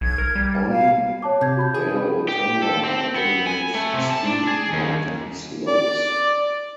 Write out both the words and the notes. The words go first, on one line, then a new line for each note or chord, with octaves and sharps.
On Rarotonga it dominates steep mountain slopes.
B1 G#6
A#4
G3
F5
C#5 A5 D6
C3 G6 G#6
F#4 B5 G6
D#4 G#4 A4
G4
A4
C4
B3
G#5
A3
C3
A5
D4
G#4
D#2
D5